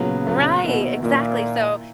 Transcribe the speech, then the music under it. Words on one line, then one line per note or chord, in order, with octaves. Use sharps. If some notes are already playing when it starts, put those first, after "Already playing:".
Right, exactly, so
Already playing: A#2 C#3 F#3 B3
A#2 F#3 B3
B2 D#3 A#3 E4
A#2 D#3 A#3 E4